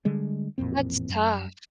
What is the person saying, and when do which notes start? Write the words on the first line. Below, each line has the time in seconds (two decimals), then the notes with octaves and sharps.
that's tough.
0.05 D3 G3 G#3
0.58 A1 F2 A#2 C4
1.09 F#2